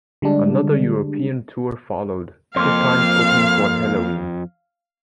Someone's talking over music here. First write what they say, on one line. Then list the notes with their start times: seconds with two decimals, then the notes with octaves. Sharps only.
Another European tour followed, this time opening for Helloween.
0.22 D3 G3 G#3 D4
2.56 F2 A#3 C5 F5